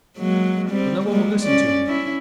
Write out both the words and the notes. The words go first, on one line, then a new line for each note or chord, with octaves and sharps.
But no one will listen to me.
F#3 G#3 A#3
G3 C4
G3 G#3 A#3
C#4 D5
C#4 E4